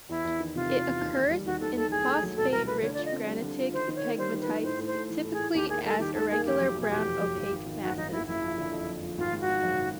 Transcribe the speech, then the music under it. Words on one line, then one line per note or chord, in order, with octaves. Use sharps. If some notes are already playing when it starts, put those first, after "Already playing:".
It occurs in phosphate-rich granitic pegmatites typically as irregular brown opaque masses.
E2 E4
E2
D#3
C3 F4
E2
E2
D#2
D#2
G3
D#3 F#4
D#2 A4
D#2 A4
C2 G#4
A3
F#3
B2 A4
C2 A#4
A3 B4
D3 C#5
D5
F4
D#5
C4
G3
D3
F4
D#3 C5
D#3
C#5
A#3
G3 C5
D#3
B4
D#3
A2 C5
A2
C5
A3
E3
A2
G#4
A2
D#2 G4
A#3 G#4
G3 A4
D#3 G4
D#2 A4
A#3 G#4
F1 G4
F#3
B2
G#4
E2 G4
F1
F#3
G#1
G#1
D#3
F#2 F#4
G#1 D#4
G#1 E4
F#1 E4
F3
D3
F2
F#1
F3
G#1 F4
G#3
F#4
D#3
F#2